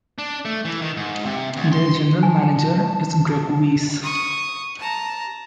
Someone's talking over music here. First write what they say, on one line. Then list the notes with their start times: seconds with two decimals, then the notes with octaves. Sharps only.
Their general manager is Greg Weis.
0.18 D4
0.45 A3
0.65 E3
0.82 D#3
0.97 G#2
1.25 C3
1.56 D2
1.73 C6
2.23 G#5 A5
4.02 C#6 D#6
4.80 A5 A#5